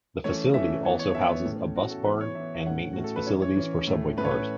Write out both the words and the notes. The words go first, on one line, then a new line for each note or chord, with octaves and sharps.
The facility also houses a bus barn and maintenance facilities for subway cars.
E3 A3 C#4 C#5
E3 A3 C#4 E5
E3 B3 C#5
C#5
E3 B3 E5
A2 A3 C#4
A2 A3 C#4 F#4
A4
E3 B3 B4
C#5
E3 B3 E5
E5
A2 A3 C#4 F#5
A2 A3 C#4 F#4
A4
B4
E3 C#4 C#5
C#5
E3 C#4
A2 A3 C#4
A2 A3 C#4 B4
C#5
B4